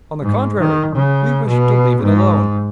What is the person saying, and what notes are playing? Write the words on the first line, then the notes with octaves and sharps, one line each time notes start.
On the contrary, we wished to leave it alone.
G#2
D#3
C#3
B2
G#2